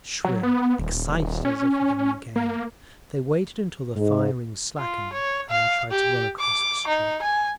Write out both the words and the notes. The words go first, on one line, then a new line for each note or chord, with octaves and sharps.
Shrill, excited as if with a new game, they waited until the firing slackened, and then tried to run across the street....
F#3
B3
D#1
C#4
A#3
G#2
F4
C#5
F5
G4
D6
D#4
G#5